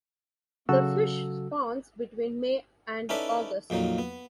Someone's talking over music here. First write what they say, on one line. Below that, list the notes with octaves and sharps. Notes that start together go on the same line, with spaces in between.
The fish spawns between May and August.
C#3 F#3 F#4 A4 E6
C#4 D#4 E4 A4 B4 D5
F2 A#2 F#3 D#4
B3